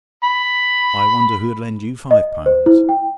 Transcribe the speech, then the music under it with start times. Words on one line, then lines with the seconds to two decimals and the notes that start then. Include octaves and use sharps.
I wonder who'd lend you five pounds?
0.24 B5
2.11 D#5
2.46 C5
2.66 E4
2.89 G5